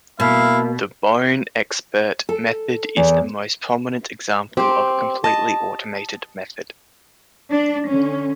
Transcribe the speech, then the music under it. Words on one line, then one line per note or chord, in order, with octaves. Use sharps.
The BoneXpert method is the most prominent example of a completely automated method.
B2 A#3 E4 F5
A4
E2
C4 G4 C5
D#5 A5
D4
D3 C#4